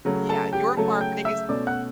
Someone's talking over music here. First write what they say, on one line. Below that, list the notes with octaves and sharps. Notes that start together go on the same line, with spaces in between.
Yeah, your marketing is,
C#3 F#3 A3
A4 A5
G4 G5
C#3 F#3 A3 A4 A5
G5 G6
E5 E6
B2 A3 C#4 D5 D6
F#5 F#6